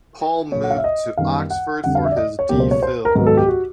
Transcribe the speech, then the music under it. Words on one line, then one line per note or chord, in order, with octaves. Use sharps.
Paul moved to Oxford for his D Phil.
A#2 F#3 A#3 C#5
F#5
F5
E5
D#5
F#2 D#3 G3 B3 F5
F#5
F2 D3 G3 F#5
F5
E5
D5
D#5
C#5
C#2 B2 F#3 A#3 G4
C5
C#5
C5
A#4
G#2 D#3 F#3 B3 A#4
A4
G4
F#4